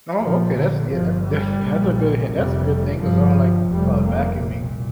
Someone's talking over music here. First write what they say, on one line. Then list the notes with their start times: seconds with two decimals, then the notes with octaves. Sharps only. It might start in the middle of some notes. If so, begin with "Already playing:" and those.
Oh, okay, that's yeah, that's def that's a good han that's a good thing 'cause I don't like, uh, vacuuming.
0.21 A#1 A#2 F3
0.56 D3
0.91 G1 G2 F3
1.26 G3
1.62 A#1 A#2
2.31 F1 F2 C3 G3
3.01 G1 G2 F3
3.71 F1 F2 C3 G3
4.06 A#3
4.41 C2 A#2